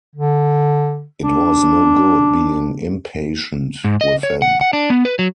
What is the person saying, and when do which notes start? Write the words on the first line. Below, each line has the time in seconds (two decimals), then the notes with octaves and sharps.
It was no good being impatient with him.
0.15 D3
1.23 D4
3.84 G#2
4.01 D#5
4.23 C#5
4.42 F#5
4.61 F#5
4.73 D4
4.90 B3
5.05 B4
5.19 F#3